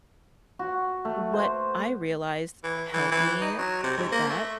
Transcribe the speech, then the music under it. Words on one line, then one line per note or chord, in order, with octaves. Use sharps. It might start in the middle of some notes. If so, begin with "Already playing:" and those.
What I realized helped me with that
F#4
A3
C5
E3
E3
E3
D#4
F#3
C3
G#2
A#3
A3